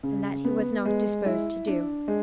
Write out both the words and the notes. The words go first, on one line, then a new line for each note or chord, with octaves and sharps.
And that he was not disposed to do.
C#3
B3
G#3
E4
D4
G#3